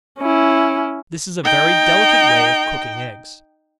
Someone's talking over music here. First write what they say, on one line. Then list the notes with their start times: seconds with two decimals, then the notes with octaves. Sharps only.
This is a very delicate way of cooking eggs.
0.20 C#4 E4
1.44 D#4 G5